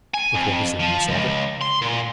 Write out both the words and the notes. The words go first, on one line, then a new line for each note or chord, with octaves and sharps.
But what is the use of it?
G#5
F2
F3
C#2
C6
A#2